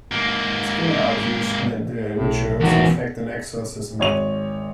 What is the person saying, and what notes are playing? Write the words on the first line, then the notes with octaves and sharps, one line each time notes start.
Skinner argues that the ritual is in fact an exorcism.
G#2 A#3
B1 A2
E2 D#3 F#4
G#1 C#5 F7